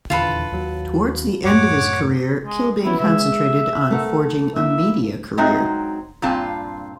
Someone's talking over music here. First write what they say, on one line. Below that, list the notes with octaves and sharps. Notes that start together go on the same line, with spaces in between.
Towards the end of his career Kilbane concentrated on forging a media career.
D#1 E2 D3 F4 A4 B4
D#2 F#3
F#2 A2 C#5 F#5 D6
G#3
E3 B3 C#4 E4
C#3 G#3 E5
A3 A#4 F#5
A#3 E4 E5
F#3 G#3 C4 D#4 E5
G2 A#2 C4 F4 G#5 A5